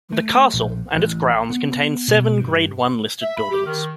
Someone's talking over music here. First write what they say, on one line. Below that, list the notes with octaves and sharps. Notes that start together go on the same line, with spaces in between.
The Castle and its grounds contain seven Grade One listed buildings.
A3
A#1
A1
B3
B2
G2
E5
B5
G4
D#3